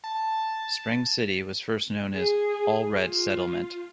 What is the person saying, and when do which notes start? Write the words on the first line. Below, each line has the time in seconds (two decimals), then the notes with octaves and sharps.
Spring City was first known as "Allred Settlement".
0.04 A5
2.15 G#4
3.03 F4